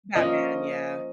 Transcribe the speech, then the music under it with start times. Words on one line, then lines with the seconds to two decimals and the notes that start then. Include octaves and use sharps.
Batman, yeah.
0.15 F3 A#3 C#4 D#5